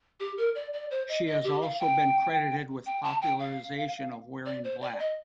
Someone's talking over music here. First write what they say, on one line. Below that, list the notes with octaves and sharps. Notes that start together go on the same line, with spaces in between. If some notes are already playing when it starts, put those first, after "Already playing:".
She has also been credited with popularisation of wearing black.
G4
A#4
D5
D5
C5
D#5
D#5
G4
F5
G5
G5
A5
G5
F5
D5
C5
D5
D#5